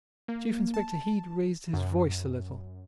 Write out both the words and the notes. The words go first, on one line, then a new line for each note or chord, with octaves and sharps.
Chief Inspector Heat raised his voice a little.
A#3
A5
F#2